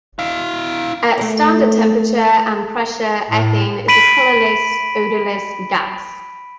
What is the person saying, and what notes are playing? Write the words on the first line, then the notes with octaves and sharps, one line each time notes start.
At standard temperature and pressure, ethane is a colorless, odorless gas.
E4 F5
A3 A#4
A2
B5 B6 D7 D#7 F#7